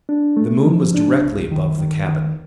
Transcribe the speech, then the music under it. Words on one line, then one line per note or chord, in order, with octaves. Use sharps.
The moon was directly above the cabin.
D4
A3
F3
D4
C2
D#3
D#3
D#3